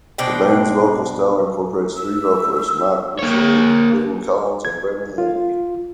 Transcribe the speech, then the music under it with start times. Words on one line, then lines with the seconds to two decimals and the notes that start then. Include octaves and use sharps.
The band's vocal style incorporates three vocalists: Mike Busse, Ben Collins and Brandon Lee.
0.18 B2 D4 C5 G5
1.96 E6
3.19 A#3 C#5
4.65 G#6
5.18 F4